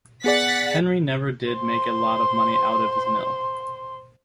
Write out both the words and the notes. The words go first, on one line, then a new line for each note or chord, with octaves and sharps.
Henry never did make a lot of money out of his mill.
B3 G#4 D5 F#5 A6 B6
C5 C6